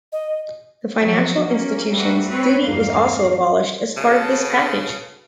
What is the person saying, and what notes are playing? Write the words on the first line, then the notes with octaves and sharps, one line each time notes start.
The financial institutions duty was also abolished as part of this package.
D#5
F3 F#3 F#4
A#3 C#4
G3 A3 A#3 F#4 B4
C4 B4 C#5
E2 G2 A#3 F5
C#3 F#4 A4 B4